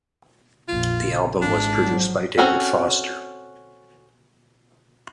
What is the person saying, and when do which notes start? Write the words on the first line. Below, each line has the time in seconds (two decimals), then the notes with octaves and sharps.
The album was produced by David Foster.
0.69 A#1 F2 F4
1.05 C#3
1.41 G#1 E3 G#3 D4
1.84 F3 F#3
2.38 C4 C#4 F#4 A4